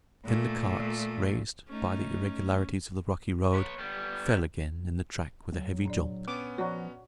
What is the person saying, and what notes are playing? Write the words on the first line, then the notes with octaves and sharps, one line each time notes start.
Then the carts, raised by the irregularities of the rocky road, fell again in the track with a heavy jolt.
A#2 A3
A3 C#4 D#4
B4 C#5
G3 B3
F#3
A#2 D4 D5
B3 C#4 D6
F3 F#4 C#5 D5 A#5